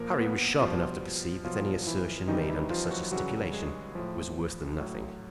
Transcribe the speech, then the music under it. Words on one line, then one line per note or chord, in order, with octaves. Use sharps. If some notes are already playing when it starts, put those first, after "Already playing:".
Harry was sharp enough to perceive that any assertion made under such a stipulation was worse than nothing.
Already playing: A#2 F3 A#3 A#4
B3 B4
B2 F3 G3 F4
B2 F3 F#3 F4
E3 E4
C3 D#3 E3 G3 D#4
E3 E4
F3 F4
F#3 F#4
C#3 E3 F#3 G3 F#4
G#3 G#4
A2 F3
A2 F#3